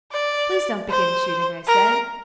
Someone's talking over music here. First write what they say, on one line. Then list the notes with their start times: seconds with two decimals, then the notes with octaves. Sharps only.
'Please don't begin shooting,' I said.
0.12 D5
0.89 C5
1.67 A#4